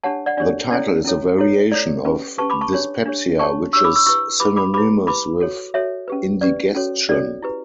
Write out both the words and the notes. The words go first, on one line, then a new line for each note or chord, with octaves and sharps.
The title is a variation of "dyspepsia", which is synonymous with indigestion.
D4 G4 C#5 F#5 A5
D5 F#5
D4 G4 C#5 D5
C#4 E4 A4 C#5 D5
C#4 E4 A4 C#5
E4 A4 C#5
E4 A4 C#5 D5
C#4 G4 B4
C#4 G4 B4 A5 C#6
B5 D6
A5 C#6
D4 G4 C#5
D4 G4 C#5
D4 G4 C#5 A5 C#6
D4 G4 C#5 C#6 E6
B5 D6
C#6 E6
E4 G4 B4 C#6 E6
E4 G4 B4 B5 D6
B5 D6
E4 G4 B4 B5 D6
E4 G4 B4 B5 D6
F#4 A4 C#5
F#4 A4 C#5 E5
C#4 G4 B4
C#4 G4 B4 D5
C#4 F#4 A4 C#5
C#4 F#4 A4 C#5 D5
E4 G4 B4